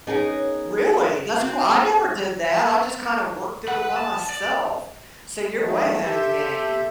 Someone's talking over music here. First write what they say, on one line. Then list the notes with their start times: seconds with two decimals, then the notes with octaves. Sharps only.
Really, that's qui I never did that, I just kinda worked through it by myself, so you're way ahead of the game.
0.07 B3 C#4 D#4 G#4 A#4
1.37 C4 F#4 C5
3.68 B4 F#5 B5
3.96 A5
4.30 D5
5.58 D#3 F3 F#3 G#3 A3
6.04 G4 A4 E5 C6 G6